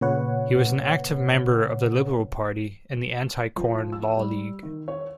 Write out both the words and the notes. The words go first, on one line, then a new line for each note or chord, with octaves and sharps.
He was an active member of the Liberal Party and the Anti-Corn Law League.
A#2 C#3 B4 C#5 F#5
F3
E6
G3
D#3
C#5